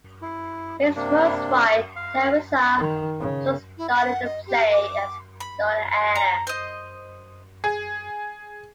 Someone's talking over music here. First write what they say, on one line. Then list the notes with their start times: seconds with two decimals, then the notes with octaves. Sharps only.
His first wife Theresa also starred in the play as “Donna Anna”.
0.22 E4
0.96 C3 A#3 D4
1.96 F5
2.78 D#3
3.20 C#3
3.78 E4
3.92 F#5
4.24 D#5
4.47 G4
4.72 D6
5.40 B5
6.15 A#5
6.47 C5 D#5
7.64 G#4